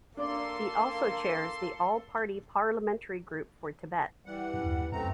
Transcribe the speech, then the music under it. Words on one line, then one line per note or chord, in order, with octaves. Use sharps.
He also chairs the All-Party Parliamentary Group for Tibet.
A#3 D4 A4 D5 C6
E3 G3 F#5
F#2
D#2
F#2 A3 C4 A#5